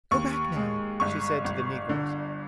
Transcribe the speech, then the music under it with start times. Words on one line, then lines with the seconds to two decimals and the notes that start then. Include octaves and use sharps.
"Go back now," she said to the negroes.
0.11 D#2 C#6
0.56 G#3
1.00 G1 C#6
1.44 G1
1.89 D3